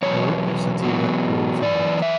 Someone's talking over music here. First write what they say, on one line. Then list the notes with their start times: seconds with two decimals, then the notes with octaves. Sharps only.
"Eruca sativa" grows in height.
0.02 E2 B2 F#3 C#5
0.82 E2 B2 F#3
1.62 F#2 E3 D5
2.02 E5